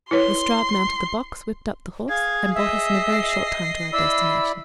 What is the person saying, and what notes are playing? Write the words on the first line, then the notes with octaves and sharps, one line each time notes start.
Lestrade mounted the box, whipped up the horse, and brought us in a very short time to our destination.
E4 B4 C#5 C6
G#4 F5 G#6
D#5 E5 C7
E4 D5 B5 E6